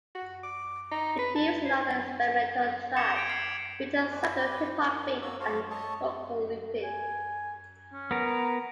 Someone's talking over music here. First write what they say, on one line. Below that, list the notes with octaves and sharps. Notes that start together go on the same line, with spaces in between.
"The Fuse," another experimental track features a subtle Hip-Hop beat and vocal looping.
F#4
D6
D#4
B4
A5
C5
D6 G6 C#7 E7 F7 G7
G#6 B6 D7
F6 G#6 C7 E7 F#7
F7
A3 C4 D5 G#5 F#6
C4 G4 B4 D5 G5
A#4 F#5
A#3 F#4 E6
F#4 G4 A4 C5 C#5 F5
A4 C#5 D#5 A5 C#6
G#5
C#4
B3 A#4
A#5